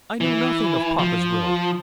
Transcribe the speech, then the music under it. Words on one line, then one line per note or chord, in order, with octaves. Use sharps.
'I know nothing of papa's will.
E3
F3